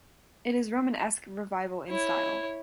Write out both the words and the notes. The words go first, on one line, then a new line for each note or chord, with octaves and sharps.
It is Romanesque Revival in style.
E4 C#5